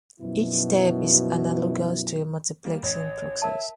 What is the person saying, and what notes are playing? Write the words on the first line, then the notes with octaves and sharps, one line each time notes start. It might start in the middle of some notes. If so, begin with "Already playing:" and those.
Each step is analogous to a multiplexing process.
F#2 B2 F3 E4
G3 A#3
A1 C#5
A#4 E5 A5